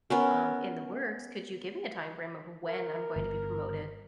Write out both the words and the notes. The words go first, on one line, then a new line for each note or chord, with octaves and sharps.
um, in the works. Could you give me a time frame of when I'm going to be promoted
B3 C#4 A#4
A#4
G1